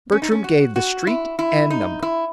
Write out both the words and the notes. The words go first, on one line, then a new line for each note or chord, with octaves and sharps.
Bertram gave the street and number.
C#4
D#4
C#4
F#4
F#4
E4
E4
D#4
E4